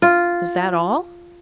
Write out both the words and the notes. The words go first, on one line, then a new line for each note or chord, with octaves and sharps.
"Is that all?"
F4